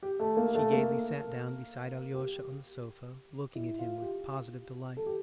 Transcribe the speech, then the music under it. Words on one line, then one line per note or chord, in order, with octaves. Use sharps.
She gayly sat down beside Alyosha on the sofa, looking at him with positive delight.
G4
A3
A#3
A3
A#3
G4
E4
F4
G4
A4
G4